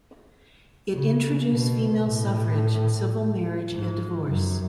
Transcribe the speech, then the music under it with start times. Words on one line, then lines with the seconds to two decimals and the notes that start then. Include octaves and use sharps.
It introduced female suffrage, civil marriage and divorce.
0.94 C#3
1.50 B2
2.06 A2
3.73 G#2
4.28 F#2